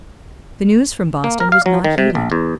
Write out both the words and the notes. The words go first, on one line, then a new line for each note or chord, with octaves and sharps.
The news from Boston was not heeded.
A#3
A#4
F5
F#3
D#3
C3
A#1
E2